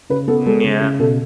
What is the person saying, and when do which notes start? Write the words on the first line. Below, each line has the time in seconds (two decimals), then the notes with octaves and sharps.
Mm, yeah.
0.10 C#3 B4
0.28 B3 A4
0.46 G#3 A4
0.64 C#3
0.81 C#3
1.00 B2 A4